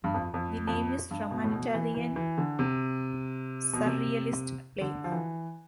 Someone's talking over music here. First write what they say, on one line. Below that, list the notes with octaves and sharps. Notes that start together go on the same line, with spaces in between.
The name is from an Italian surrealist play.
G2
F2
F2
F2
G2
B2
A2
B2
E3
E3
E3
D3
C3
B2
C3
D3
F3
E3